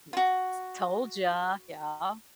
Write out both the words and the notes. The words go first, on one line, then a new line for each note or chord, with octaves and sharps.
Yes. "Told ya." Yeah.
F4 F#4